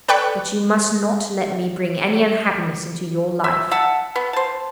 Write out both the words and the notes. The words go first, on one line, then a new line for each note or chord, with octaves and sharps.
But you must not let me bring any unhappiness into your life.
A4 B4 D5 G5 C#6 F#6
E5
E5 F#5 A5
B3
C5 A5